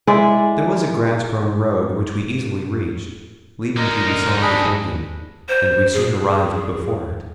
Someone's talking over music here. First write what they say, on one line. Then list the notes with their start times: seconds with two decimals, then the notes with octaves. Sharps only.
There was a grass-grown road, which we easily reached, leading to the sombre building, and we soon arrived before it.
0.07 G#3 E4 D5
3.77 D3 D#4 A#4 D#5 A#5
4.09 A#4
4.42 D4 G#4 B5
5.48 C5
5.93 G#4